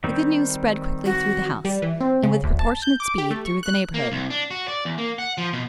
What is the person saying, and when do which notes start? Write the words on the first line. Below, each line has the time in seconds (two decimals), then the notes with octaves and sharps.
The good news spread quickly through the house, and with proportionate speed through the neighbourhood.
0.04 D#3 G3 C4
1.05 F#4
1.65 G3
1.82 E3
2.01 C4
2.23 C#3
2.44 D2
2.59 A5
2.82 G6
3.00 D6
3.18 G4
3.31 A3
3.45 C#6
3.63 F#6
3.94 A#3
4.12 C2
4.30 D4
4.51 F#4
4.68 D5
4.85 E2
4.98 A#3
5.19 F#5
5.38 F3
5.53 B2